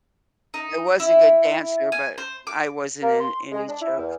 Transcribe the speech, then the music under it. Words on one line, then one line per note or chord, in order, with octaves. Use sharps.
I was a good dancer, but I wasn't in any show.
D#4
E4
G#5
C5
D6
A#3
C6
G#3
D4
E4
E2